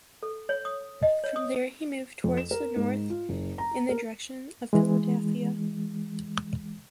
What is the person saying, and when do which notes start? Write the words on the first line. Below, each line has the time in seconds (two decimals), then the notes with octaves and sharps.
From there, he moved towards the north in the direction of Philadelphia.
0.23 A4
0.49 C#5
0.65 D#6
1.03 D#5
1.24 C#5
1.36 D#6
2.24 F2
2.37 E7
2.51 A#4
2.76 G#2
3.10 F4
3.29 F#1
3.58 A#5
3.89 A#4
4.73 E3 G#3